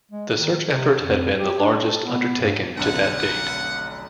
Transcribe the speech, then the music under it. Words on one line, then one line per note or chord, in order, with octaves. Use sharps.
The search effort had been the largest undertaken to that date.
G#3
D#3
C3
F2
G4
D4
A4
B3
G2
F1 B1 D3 F#5